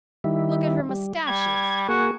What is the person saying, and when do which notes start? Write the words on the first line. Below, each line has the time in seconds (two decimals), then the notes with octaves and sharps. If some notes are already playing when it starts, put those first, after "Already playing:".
Look at her moustaches!
0.24 D#3 G3 E4
0.89 G3
1.27 G3 G#6
1.89 A#3 F#4 G#4